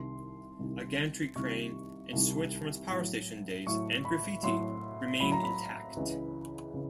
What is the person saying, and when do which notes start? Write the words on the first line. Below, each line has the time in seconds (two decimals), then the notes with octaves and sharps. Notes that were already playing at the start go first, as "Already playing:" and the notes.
A gantry crane and switch from its power station days and graffiti remain intact.
Already playing: C2 C3 D#3 G3 C6
0.59 C2 C3 D#3 G3
1.36 C2 C3 D#3 G3 C#6
2.13 C2 C3 D#3 G3
2.89 A2 F#3
3.67 A2 F#3 C#6
4.05 B5
4.43 A2 F#3 C6
5.20 A2 F#3 B5
5.32 A#5
5.44 B5
5.97 C#2 C#3 E3
6.74 C#3 E3